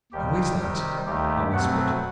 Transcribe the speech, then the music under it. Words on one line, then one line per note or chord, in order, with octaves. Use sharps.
'Who is that?' I whispered.
D#2 D#3 G3 G4
C3 D#3 G3
D#2 D#3 A3 G4
B2 F#3 A3 C4 F#5